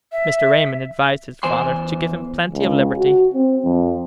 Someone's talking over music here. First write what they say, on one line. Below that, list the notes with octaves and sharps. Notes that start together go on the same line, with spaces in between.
Mr. Raymond advised his father to give him plenty of liberty.
E5
E2 C5 G#5 C6
C#2
F#4
C4
F2